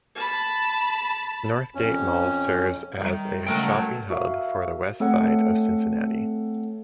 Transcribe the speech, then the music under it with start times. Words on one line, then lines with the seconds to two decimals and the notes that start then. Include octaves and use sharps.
Northgate Mall serves as a shopping hub for the west side of Cincinnati.
0.15 A5 B5
1.75 F2 C#4
2.99 D#3 G3 E5
3.47 C#2 F#3 A3 A#4 G5
4.10 F#4 A#4 E5 F5
5.00 A3 C4 A4 C#5 F#5